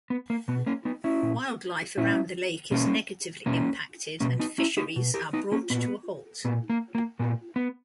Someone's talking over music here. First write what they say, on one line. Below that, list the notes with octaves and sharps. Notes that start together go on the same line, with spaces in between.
Wildlife around the lake is negatively impacted and fisheries are brought to a halt.
B3
A#3
B2 B3
A#3 C#4
B3 D#4
C#4 E4
A#2
A#2 C#4 E4
B2 A#3 C#4
B2 A#3 C#4
B2 A#3 C#4
B3 D#4
C#4 E4
D#4 G4
B2
G4 A#4
B3 D#4
A#3 C#4
A#2 B3
A#2 B3
A#3
A#3
A#2 B3
B3